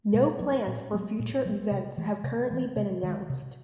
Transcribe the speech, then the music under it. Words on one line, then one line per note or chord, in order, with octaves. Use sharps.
No plans for future events have currently been announced.
B2
F#3 B3
A#2
F#3 B3
A#2
F#3 B3
C3
E3 A3
C3
E3 A3
C3
D#3 G#3
C3